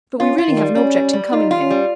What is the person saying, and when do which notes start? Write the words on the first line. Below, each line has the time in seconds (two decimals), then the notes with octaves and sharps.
But we really have an object in coming here.
0.19 C#4 F4
0.38 F4
0.48 D#3
0.57 G3
0.75 G3 C#4
0.94 G3
1.13 G3
1.32 D#4 F4
1.51 F4
1.61 C#4
1.71 G3